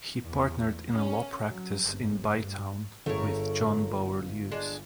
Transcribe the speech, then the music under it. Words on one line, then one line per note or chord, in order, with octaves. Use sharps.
He partnered in a law practice in Bytown with John Bower Lewis.
E2
C#4
F#3
G1
G2
G1 A3 G#4 A#4 C#5
G#3 D4